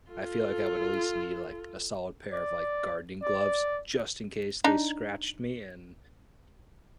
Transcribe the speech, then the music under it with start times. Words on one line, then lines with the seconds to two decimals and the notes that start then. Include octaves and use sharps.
I feel like I would at least need, like, a solid pair of, like, gardening gloves just in case they scratched me, and
0.11 F4 A4
2.33 D5
3.22 D5
4.64 D4 D#4